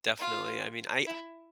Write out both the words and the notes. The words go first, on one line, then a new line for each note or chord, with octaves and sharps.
Definitely. I mean, I
F4
E4